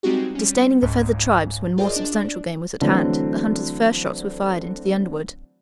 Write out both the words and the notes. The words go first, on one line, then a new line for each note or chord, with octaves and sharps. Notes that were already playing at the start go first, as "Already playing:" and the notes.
Disdaining the feathered tribes when more substantial game was at hand, the hunters' first shots were fired into the underwood.
G3 G#3 C4 D#4 F#4 G4
G3 C#4
C#2 G#2
F4 G#4 A#4 C5 D5 D#5
D4 D5
D3 E3 F#3 A3 C4 D4